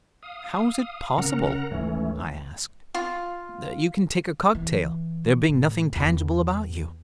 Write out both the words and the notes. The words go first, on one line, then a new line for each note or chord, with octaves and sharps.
"How is it possible," I asked, "that you can take a cocktail, there being nothing tangible about you?"
F5 D#6
C#3 C#4 A#4 F#5 A#5
D#2 G#2 E3 A3 C#4
F4
E3
A2
E2